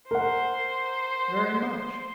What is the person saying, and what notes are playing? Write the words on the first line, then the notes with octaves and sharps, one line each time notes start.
"Very much."
A#4 C5 F#5 C6